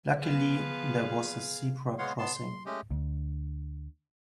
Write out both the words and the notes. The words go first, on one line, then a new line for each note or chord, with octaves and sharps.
Luckily there was a zebra crossing.
F3 B3 G#4 B4 F5
G#3 B3 C#5 F5 F#5 C6
B3 A5 C6
C6
G#3 A3 C#4 G4 D#5
D2